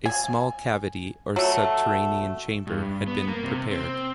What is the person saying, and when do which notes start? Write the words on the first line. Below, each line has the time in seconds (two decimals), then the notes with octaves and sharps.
A small cavity or subterranean chamber had been prepared.
0.06 G#5
1.36 F#3 A3
2.67 G2
3.08 B3
3.28 A#3
3.43 C3
3.71 C4